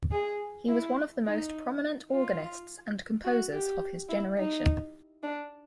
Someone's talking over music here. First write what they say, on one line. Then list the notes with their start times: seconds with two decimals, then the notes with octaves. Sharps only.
He was one of the most prominent organists and composers of his generation.
0.11 G#4
0.68 E4
1.26 D#4
2.11 F4
3.24 F#4
3.53 G4
4.09 E4
4.38 D#4
5.23 D4